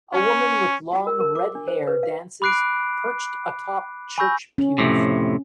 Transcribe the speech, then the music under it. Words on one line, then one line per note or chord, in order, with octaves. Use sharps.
A woman with long, redhair dances, perched atop church pews.
C#4
F#4
A#4
A#4
D6
D4
C5
B4
F5
B5 D6 F#6 C7 D7
G#5 B5 C#6 E6 G6 A#6
C#4
F2 A2 C3